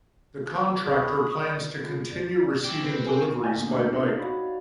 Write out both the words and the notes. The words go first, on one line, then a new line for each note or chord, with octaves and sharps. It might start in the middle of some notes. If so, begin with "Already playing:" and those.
The contractor plans to continue receiving deliveries by bike.
G#4 B5 C#6 D#6
D5
C#4 F4
D5
E4 G4 D6
C4 B4
A4 C5 G#5
A4 B4 C#5 D5 E5 G#5
D2 A2 A#3 B3 D4
C4 D4 D#4 F4 G4 A#4
D#4 F#4 C#5 D5 F5 B5